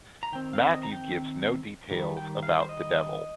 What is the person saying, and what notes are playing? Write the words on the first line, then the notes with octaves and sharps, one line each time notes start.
Matthew gives no details about the devil.
A#5
D#3 C4 G5
F5
D#5
A#5
G5
D#3 G3
G5
F5
C5
D#5